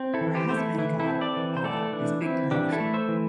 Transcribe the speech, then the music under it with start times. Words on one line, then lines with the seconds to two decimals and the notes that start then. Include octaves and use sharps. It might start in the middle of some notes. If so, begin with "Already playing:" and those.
her husband got a this big promotion
Already playing: C4
0.14 E4 A4
0.21 E3
0.35 G4 C5
0.49 A3 C5
0.56 E4 A4
0.78 E3 E4
1.00 E4 A4
1.07 C4
1.21 A4 D5
1.37 E3
1.57 C5
1.64 A3 A4 D5
1.93 E3 D4
2.22 C4 E4
2.51 E3 D4 G4
2.72 E4 A4
2.80 A3
2.93 C5 E5
3.08 E3